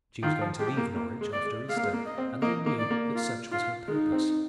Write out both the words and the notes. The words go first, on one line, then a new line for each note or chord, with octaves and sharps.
She was going to leave Norwich after Easter, and they knew that such was her purpose.
D#3 F4
F3
G#3 G4
A#3
A#3
G#3
D5
G#3
G#3 F5
A#3
G#3
A#3
D#5
C4
A#3 D#5
A#3
D5
A#3
F4
F4
G#3 D#4
C4